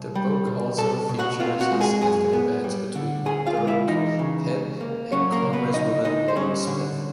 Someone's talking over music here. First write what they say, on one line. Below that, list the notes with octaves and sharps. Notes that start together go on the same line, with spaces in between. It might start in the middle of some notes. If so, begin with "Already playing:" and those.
The book also features a significant event between Dirk Pitt and Congresswoman Loren Smith.
Already playing: C2
G3
B2
B2 A4 A5
B2
F#4 F#5
C4 F4 F5
F#4 F#5
G#3
G#4 G#5
F#2 G#4 G#5
B3
G3
D3
D2 G#4 G#5
F4 F5
G#3
E4 E5
E3 D#4 D#5
C#3
C#2
A#3
F#3 C#4 C#5
A#3 A#4
C#3
B3 B4
D2 D#4 D#5
D2 D#4 D#5
C5
G3 C#4 C#5
D3